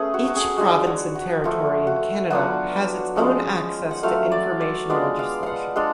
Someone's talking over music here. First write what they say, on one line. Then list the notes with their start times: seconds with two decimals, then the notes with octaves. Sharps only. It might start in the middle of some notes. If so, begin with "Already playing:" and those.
Each province and territory in Canada has its own access to information legislation.
Already playing: A3 B3 C#4 G#4
0.14 F#4
0.28 F#4
0.36 G#4
0.58 G#3 D4 F4 F#4
0.87 F#4
1.15 F#4
1.44 F3 A3 F4 F#4
1.87 F#4
2.30 F#3 B3 D4 F4 F#4
3.16 F3 G#3 C#4 F4
3.91 F#5
4.03 F#3 A3 F4 F5
4.32 D5
4.61 D5
4.90 G#3 B3 D4 F4 D5
5.19 F5
5.43 F5 F#5
5.75 G#3 D4 F4 F5